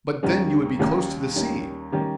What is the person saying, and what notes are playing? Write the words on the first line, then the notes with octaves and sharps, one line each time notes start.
"But then you would be close to the sea?"
D#2 D#3 G3 C#4
D#2 D#3 G3 C#4
D#2 D#3 G3 C#4
D#3 G3 C#4